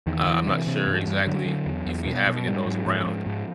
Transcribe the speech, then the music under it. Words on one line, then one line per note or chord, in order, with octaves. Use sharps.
uh, I'm not sure exactly if we have any of those around,
E2 D#3
D#3
E2
E3
C3 E3
C3
G2
G2
D3 F#3
D3
E2
E2
B2
B2
G#2 G3
G#2 F#3
G#2 F3
G#2
G#2